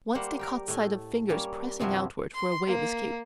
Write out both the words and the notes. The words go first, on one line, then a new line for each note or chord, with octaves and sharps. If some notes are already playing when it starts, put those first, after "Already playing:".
Once they caught sight of fingers pressing outward for a way of escape.
G3 A#3 C5 F#5
G4 A#4 F5
A2 A3
G3 A#3 C#4
G2 C3 F3 E4 F#4
C6
A#3